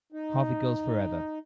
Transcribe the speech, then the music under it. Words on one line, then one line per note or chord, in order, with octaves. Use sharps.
Harvey Girls Forever!
D#4